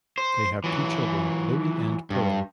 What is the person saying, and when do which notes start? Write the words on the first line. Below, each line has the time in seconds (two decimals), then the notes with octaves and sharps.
They have two children, Louie and Pearl.
0.18 C5
0.64 E3 F#3
2.10 G2